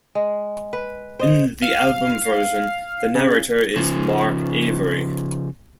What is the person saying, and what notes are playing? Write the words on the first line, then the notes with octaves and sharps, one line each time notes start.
In the album version, the narrator is Mark Avery.
G#3
B4
C5 D#5
F5
C#3
C#3 F3